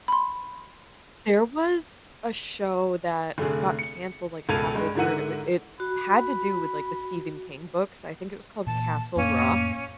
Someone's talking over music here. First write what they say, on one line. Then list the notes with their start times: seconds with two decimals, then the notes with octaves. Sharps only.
There was a show that got canceled, like, halfway through and wi it had to do with, like, the Stephen King books. I think it was called Castle Rock.
0.08 B5 C6
3.38 F1 D3 A3 G#4
3.79 C#7
4.49 E1 C#2 A4 G#6 D#7 F7
4.75 G2 G#3
4.95 G#2 D3 E4 A#4 F#5 D#7
5.80 F#4 B5
8.67 A#2 E3 A5
9.16 F2 A2 A#3 C#4